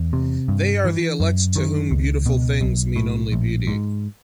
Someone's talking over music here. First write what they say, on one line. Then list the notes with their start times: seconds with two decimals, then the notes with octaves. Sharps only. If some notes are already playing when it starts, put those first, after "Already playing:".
They are the elect to whom beautiful things mean only beauty.
Already playing: E2
0.13 C3
0.48 G2
0.85 E3
1.20 F#2
1.56 D#3
1.91 C#2
2.26 B2
2.61 B1
2.96 A2
3.32 A#1
3.67 G#2